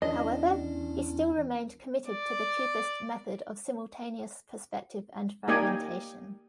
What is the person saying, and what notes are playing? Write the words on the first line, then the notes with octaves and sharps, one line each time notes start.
However, he still remained committed to the cubist method of simultaneous perspective and fragmentation.
E2 C#4 D4 E4 D#5
D5
A#3 D#4 G4 D5 D#5 G#5